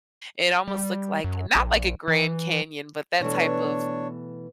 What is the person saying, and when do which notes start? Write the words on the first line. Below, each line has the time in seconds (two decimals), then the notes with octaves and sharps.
it almost looked like not like a Grand Canyon, but that type of,
0.68 G3
1.24 F#2
1.55 A#1
2.08 E3
3.20 B2 E3 A3 D4 C#5